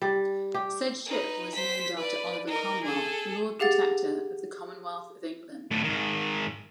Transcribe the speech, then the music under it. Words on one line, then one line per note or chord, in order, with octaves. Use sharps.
Said ship was named after Oliver Cromwell, Lord Protector of the Commonwealth of England.
G3
G4
D#4 B4
C5 B6
B4 D5
D#4 A#4
G#4 A4
G4 G#4 F5 F#5 A6
D2 A2
G#2 D#3